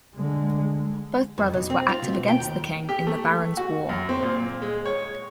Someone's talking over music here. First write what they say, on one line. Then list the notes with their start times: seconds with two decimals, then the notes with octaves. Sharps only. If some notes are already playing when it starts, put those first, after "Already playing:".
Both brothers were active against the King in the Baron's War.
0.16 D3 G#3
1.38 F2
1.53 B1
1.70 C4
1.89 F4
2.02 B2
2.28 G5
2.40 D#2
2.89 G4
3.07 A3
3.57 F#4
3.89 F#2
4.09 C4
4.23 A#2
4.62 G#3
4.86 C#5